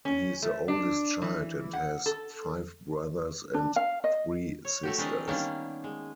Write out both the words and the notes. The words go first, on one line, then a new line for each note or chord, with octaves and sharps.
He is the oldest child and has five brothers and three sisters.
C#4
A3
D4
E3
F#5
A4
D4
F5
D#5
C#5
A3 F#4 G4
E3 C4 D4 A#4 B4 D#5
D#3 G3 A#3 B3 C#4 D4
G#3